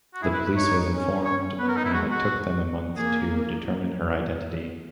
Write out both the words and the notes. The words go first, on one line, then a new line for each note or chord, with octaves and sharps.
The police was informed and it took them a month to determine her identity.
F#4
E4 G#4
B4
B4
D#4 C#5
C#4
C#5
B3 B4
A#4
D#4
E4
G#3 F#4
F#4
A#3 G#4